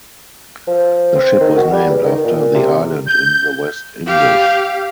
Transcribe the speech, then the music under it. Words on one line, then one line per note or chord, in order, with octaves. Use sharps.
The ship was named after the island in the West Indes.
F3
C4
D#3
F#4
G3
E2
D#3
A#2
C3
G6
G4 F5